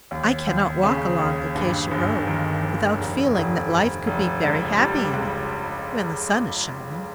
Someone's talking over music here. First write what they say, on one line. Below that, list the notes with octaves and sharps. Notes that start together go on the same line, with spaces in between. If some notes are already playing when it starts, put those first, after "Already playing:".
I cannot walk along Acacia Road without feeling that life could be very happy in it--when the sun is shining.
D#2
D#2
C#3
D#2
G2
G1
D#3
D#3
F1
F1
F1
F1
C#2
G3
C#2